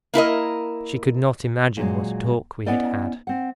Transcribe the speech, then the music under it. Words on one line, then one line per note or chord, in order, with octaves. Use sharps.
She could not imagine what a talk we had had.
A#3 E4 A#4 D#5
A#2 F#3 G#3
B3 C#4 E4 D5 D#5
C4 F#5